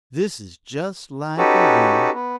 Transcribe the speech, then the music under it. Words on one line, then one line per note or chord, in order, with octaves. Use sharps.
This is just like a woman.
C#4 D#4 F#4 G4 A4 B4
B3